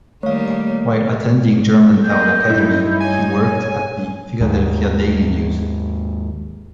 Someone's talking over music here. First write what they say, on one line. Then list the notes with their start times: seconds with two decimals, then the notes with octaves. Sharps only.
While attending Germantown Academy, he worked at the "Philadelphia Daily News".
0.23 D#3 G3 A3 A#3 C#5 F5
2.04 G#3 A#3 D#5 G6
2.50 G2 D#4 E4
3.00 C#5 G#5
4.41 D#2 G#2